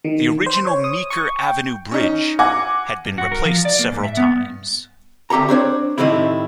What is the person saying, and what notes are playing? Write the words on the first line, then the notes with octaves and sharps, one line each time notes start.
The original Meeker Avenue Bridge had been replaced several times.
D#3
C5
C#5
D#6
C#6
G5
C#4 D#4
F#5 G#5 D6 G#6 A#6
G2
F#4
A#4
F3
D5
A#3
G#2
E5
B3
G2
D2 C4 G4 A4 A#5
C4 D4 C5 C#5
A2 D#3 F3 G3 C4 E4